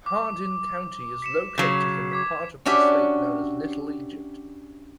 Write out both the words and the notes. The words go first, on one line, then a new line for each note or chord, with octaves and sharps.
Hardin County is located in the part of the state known as Little Egypt.
D6
B6 C#7 E7
C#3 F#3
D6 G#6 B6
C#4 D4 F#4 G4 E5